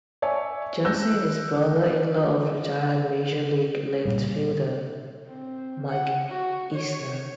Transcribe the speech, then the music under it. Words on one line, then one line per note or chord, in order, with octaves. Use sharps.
Johnson is brother-in-law of retired Major League left fielder Mike Easler.
C#5 D5 E5 G#5
E6 F#6 G6 A#6
A#2 G3
C4
F#5
F#4
C#5